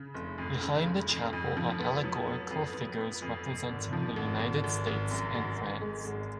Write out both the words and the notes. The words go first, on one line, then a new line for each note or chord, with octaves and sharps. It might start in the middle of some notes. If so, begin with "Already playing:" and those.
Behind the chapel are allegorical figures representing the United States and France.
Already playing: C#3
F1
F2
C#3
F1
F2
F2
F3
B3
F#3
B3
F2
B3
B3
F2
F2
G#1
F3
G#1
G#1
G#1
G#1
F#2
G#1
G#1
G#3
G#1